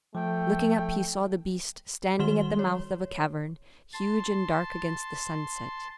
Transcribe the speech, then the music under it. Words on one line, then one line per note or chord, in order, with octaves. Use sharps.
Looking up he saw the beast standing at the mouth of a cavern, huge and dark against the sunset.
F3 A3 G5
D#3 G3 F#4 C6 E7 G7
C#5
A5 C6